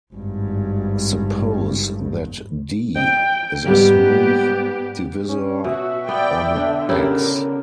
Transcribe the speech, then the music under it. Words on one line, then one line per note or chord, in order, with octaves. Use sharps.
Suppose that "D" is a smooth divisor on "X".
G#1 G2
D#5 G5
G#2 G3 B3 G4
C#4
B2 F#4 E5
B3 D5 G5
D3 D4
C#3 E4 G4 A#4